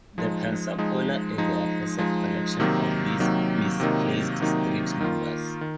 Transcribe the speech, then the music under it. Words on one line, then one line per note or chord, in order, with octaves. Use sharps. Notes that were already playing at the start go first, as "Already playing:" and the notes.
The Pensacola area has a collection of these "misplaced" street numbers.
F3 G#3 D#4
F3 G#3 D#4
F3 G#3 D#4
F3 G#3 D#4
C3 D#3 F#3 A#3 D#4
C3 D#3 F#3 A#3 D#4
C3 D#3 F#3 A#3 D#4
C3 D#3 F#3 A#3 D#4
D#3 A#3 F4
D#3